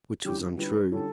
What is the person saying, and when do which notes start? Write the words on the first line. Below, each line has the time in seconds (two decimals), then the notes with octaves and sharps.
Which was untrue.
0.24 D3 G3 C#4 E4 G4
0.57 D3 G3 C#4 E4 B4
0.91 D3 G3 C#4 E4 A4